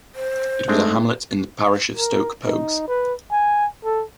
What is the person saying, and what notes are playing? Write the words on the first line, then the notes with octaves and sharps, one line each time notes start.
It was a hamlet in the parish of Stoke Poges.
C5
G#2 G#3 A3 C4 D4
A#4
D#4
B4
G#5
A4